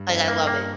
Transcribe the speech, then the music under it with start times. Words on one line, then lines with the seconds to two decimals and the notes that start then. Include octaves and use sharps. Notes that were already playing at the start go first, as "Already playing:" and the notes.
Like, I love it.
Already playing: G2
0.09 F2
0.28 A#3
0.47 A#3